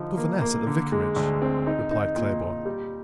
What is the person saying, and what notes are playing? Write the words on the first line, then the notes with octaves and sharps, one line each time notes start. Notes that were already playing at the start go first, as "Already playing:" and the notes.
"Governess at the vicarage," replied Claybourne.
Already playing: D3 F3 D#4
A#3
A#3
D3
G#3
D2
C4
D#4
D#4
A#2
A#2
G3